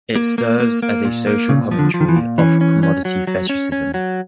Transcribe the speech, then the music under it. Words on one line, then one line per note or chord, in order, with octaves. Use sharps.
It serves as a social commentary of commodity fetishism.
A#3
A#3
A#3
A#3
A#2
A#3
A#2 C#3
F3
D3
F3
D#3
E3
A#2
E3 C#4
C#4
C#4
F#3
F#3
C#4
C#4
F#3